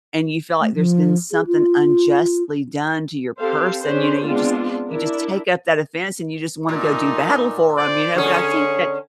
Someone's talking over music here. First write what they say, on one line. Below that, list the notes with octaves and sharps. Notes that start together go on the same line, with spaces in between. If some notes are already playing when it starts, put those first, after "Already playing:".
and you feel like there's been something unjustly done to your person. You know, you just you just take up that offense and you just wanna go do battle for him, you know? But I think that
A3
F3
G#4
F4
C4 G4 A4 C5 F5
C#4 D4 G#4 B4 C5
G#3 B3 C4 D4 F4
D4 E4 A#4
A#2 A3 D#4
C5 D5
D3 C#4 G#4 C#6